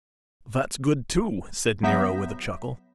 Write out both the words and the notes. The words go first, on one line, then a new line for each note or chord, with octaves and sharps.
"That's good too," said Nero, with a chuckle.
F#3 B3 E5 G6 A#6 B6